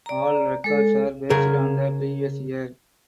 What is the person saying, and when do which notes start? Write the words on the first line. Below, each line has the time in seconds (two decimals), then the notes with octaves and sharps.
All records are based on the previous year.
0.06 D5 A#5
0.64 G#3 A4
1.30 C#3 G#4 A#4